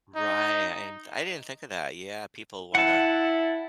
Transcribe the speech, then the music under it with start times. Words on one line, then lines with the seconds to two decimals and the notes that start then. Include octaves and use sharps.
Right, I and I didn't think of that, yeah, people wanna
0.15 D#4
2.75 E4 F#5 A5